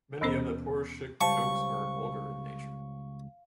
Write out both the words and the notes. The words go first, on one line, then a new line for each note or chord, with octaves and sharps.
Many of the Poruchik jokes are vulgar in nature.
D#2 B2 E3 B3 C#4 C5
C#2 G3 C5 F5 A5 C#6